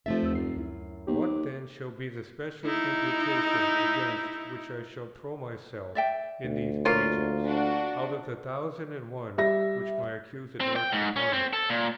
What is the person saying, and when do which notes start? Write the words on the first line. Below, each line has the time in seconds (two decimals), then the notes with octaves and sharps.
What then shall be the special imputation, against which I shall throw myself in these pages, out of the thousand and one which my Accuser directs upon me?
0.06 F1 F3 A3 E5 A6
0.22 D#2 E6
0.35 F#2 C7
0.55 D2 E4
1.07 D#2 A#3 B3 G4
1.22 D6
2.65 D#4 E4
5.95 D5 E5 G5
6.44 D2
6.85 F3 A#3 F4 C#5
7.47 D4 F#4
9.38 G3 E5 A#6
10.61 C4
10.76 G5
10.93 G#2
11.16 C#4
11.33 C4
11.53 A4
11.69 A#2